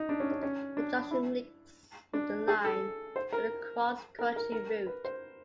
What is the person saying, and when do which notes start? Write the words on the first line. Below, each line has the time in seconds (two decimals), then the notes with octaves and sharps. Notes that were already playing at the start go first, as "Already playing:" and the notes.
The junction links the line to the Cross Country Route.
Already playing: D#4
0.09 D4
0.20 C#4
0.31 C#4
0.43 C#4
0.77 D4
1.11 E4
2.13 D4
2.48 G#4
2.65 A4
3.16 C5
3.32 A#4
4.19 A#4
4.36 A#4
4.52 A#4
4.86 B4
5.05 C5